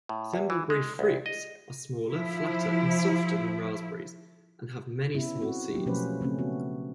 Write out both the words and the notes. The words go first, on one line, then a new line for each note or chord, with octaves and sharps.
Thimbleberry fruits are smaller, flatter, and softer than raspberries, and have many small seeds.
A2
E2
E3
G#3
C2
D#5
F3 E4
B3 C#4 E4
C4 F#4
F#3 A#3 G4
B2 F3 A3 C#4 B4 C5
C#3 A3 C4 C#4
B3 F#4